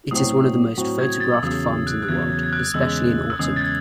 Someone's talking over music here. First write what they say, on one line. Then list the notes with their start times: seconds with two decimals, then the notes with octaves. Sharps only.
It is one of the most photographed farms in the world, especially in autumn.
0.11 A2 F#3 C4 F#4 D#6
0.78 A2 F#3 C4 F#4
0.99 G#6
1.20 A6
1.34 E6
1.43 E2 C#3 F#3 D#6
1.64 D#6
1.87 F#6
2.02 F#6
2.08 E2 C#3 F#3 G#6
2.30 G#6
2.43 G#6
2.53 F#6
2.74 E2 C#3 G#3 C#4 E6
3.30 E6
3.39 E2 C#3 G#3 C#4 D#6
3.56 A6
3.61 G#6